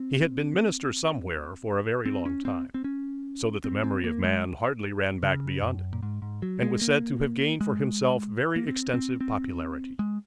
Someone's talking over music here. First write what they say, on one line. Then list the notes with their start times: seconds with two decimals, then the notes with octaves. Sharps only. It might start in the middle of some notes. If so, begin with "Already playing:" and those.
He had been minister somewhere for a very long time, so that the memory of man hardly ran back beyond it, and was said to have gained for himself very extensive popularity.
Already playing: C4
2.06 C4
2.26 C#4
2.45 C4
2.74 C4
2.84 C#4
3.64 C4
3.84 C4
4.04 A#3
4.24 G#3
5.23 C#3
5.63 F#2
5.93 A#2
6.03 G#2
6.22 G#2
6.42 F#3
6.62 G#3
6.81 A#3
7.61 G#3
8.56 A#3
8.67 C4
8.94 C4
9.21 C4
9.99 G#3